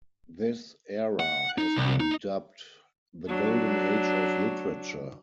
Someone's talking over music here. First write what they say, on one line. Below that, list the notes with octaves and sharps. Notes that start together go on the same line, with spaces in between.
This era has been dubbed the "Golden Age of Literature".
F#5
D#4
C2
D#4
F#3 D4